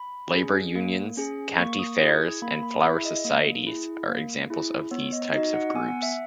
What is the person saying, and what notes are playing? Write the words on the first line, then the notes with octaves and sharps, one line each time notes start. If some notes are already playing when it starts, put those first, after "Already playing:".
Labor unions, county fairs, and flower societies are examples of these types of groups.
Already playing: B5
C#4 G#4
A#3
C#4 G#4
A#3 C#6
D#6
E4 G#4 D#6
G#6
A#3 B5
B5
E4 G#4 E5
D#5
A#3
E4 G#4
A#3
E4 G#4
B3 C#5
D#5
D#4 F#4 D#5
F#5
B3 G#5
F#5
E5